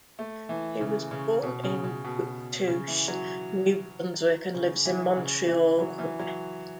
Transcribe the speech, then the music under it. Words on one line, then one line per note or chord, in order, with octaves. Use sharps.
She was born in Bouctouche, New Brunswick and lives in Montreal, Quebec.
A3
E3
C#3
C#3
B2
C#3
C#3
B2
C#3
E3
F#3
C#3
E3
C#3
E3
F#3
E3
F#3